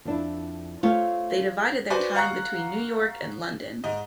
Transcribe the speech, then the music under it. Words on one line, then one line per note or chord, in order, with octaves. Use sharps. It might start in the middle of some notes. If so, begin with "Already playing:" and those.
They divided their time between New York and London.
F2 D4 E4
A3 C4 F4 C#5 F5
F#4 B4 C5 D5 G#5
F5 F#5 A#5 C#6 F#6
G#2 D#4 D#5